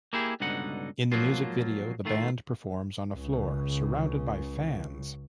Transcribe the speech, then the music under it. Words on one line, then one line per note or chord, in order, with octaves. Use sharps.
In the music video, the band performs on a floor surrounded by fans.
A#3 E4 G4 G#4
C#2 G2 B2 D3 D#4 F#5
G#2 F3 F#3 A#3 F4
D#3 A3 F4
C#2 C#3